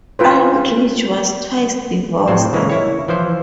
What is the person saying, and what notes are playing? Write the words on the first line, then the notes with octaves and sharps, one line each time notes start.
Aldridge was twice divorced.
F4 B4 C5
A2 C4 C5
C#3 E3 G#3 A#3
E4 C#5
E3 F3 C5